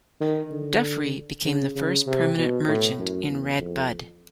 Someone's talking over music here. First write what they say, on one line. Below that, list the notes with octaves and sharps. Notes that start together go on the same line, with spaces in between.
Dufree became the first permanent merchant in Red Bud.
D#3
D3
C#3
C#3
C3
B2
A2
F#2
E2
F2